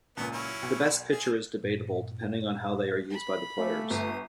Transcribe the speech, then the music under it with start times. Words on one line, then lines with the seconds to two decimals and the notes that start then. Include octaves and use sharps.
The best pitcher is debatable, depending on how they are used by the players.
0.17 C#2 A#2 B3
0.33 F#3 C#4 E4
0.62 B1
1.12 G#4
1.63 G2 A#2
3.10 B5
3.58 A3 F5 G#5 D6
3.90 G1 G#5 C#6 D#6